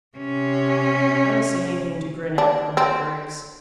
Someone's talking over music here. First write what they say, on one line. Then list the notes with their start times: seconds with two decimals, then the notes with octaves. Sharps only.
"I don't see anything to grin at," grumbled Griggs.
0.17 C3 C#4
2.38 D4
2.77 C4